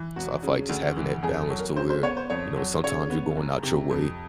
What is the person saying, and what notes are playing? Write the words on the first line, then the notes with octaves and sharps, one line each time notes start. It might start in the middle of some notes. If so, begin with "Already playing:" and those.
So I feel like just having that balance to where, you know, sometimes you're going out your way
Already playing: E3
E1 F#4
C#3
D2
E3
F2 G#4
A4
F#3
A#4
C#3 C5
C5
B3 C#5
C5
F2 C#5
F#3
C#3 C#5
B3
F#1
C3
F2